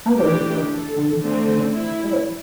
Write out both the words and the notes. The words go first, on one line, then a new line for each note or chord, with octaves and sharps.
Others are performed by Matthew Good.
E3 A3 D4 G4
A4
D3 A3 C4
E4